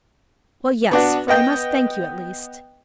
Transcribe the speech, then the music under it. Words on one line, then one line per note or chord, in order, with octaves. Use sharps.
"Well, yes! for I must thank you at least."
B3 D4 F#4
B3 D#5 G5